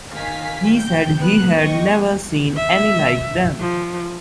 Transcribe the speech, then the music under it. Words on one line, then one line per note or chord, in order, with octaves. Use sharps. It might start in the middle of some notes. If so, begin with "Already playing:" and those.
He said he had never seen any like them.
D#3 F5 G#5 B6
G5 G6
B3 F#6
D#5 G5 C#6
E5
F3